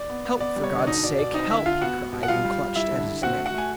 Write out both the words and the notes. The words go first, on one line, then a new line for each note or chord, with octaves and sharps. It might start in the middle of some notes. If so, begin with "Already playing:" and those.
"Help, for God's sake, help!" he cried, and clutched at his neck.
Already playing: D5
B3
B3
B3 D5
G3
C#5
D3
D5
B2 D#4 D#5
B2 D5
B2 D5
C4 D#4 D#5
D3 E4 E5
D3 F4 F5
B3 F#4 F#5
B3
B2
F#5
G3 F4 F5
G3
G3
G3 E4 E5
D3
D3
C4 F#4 F#5
A3
F#4 F#5
A3 G#5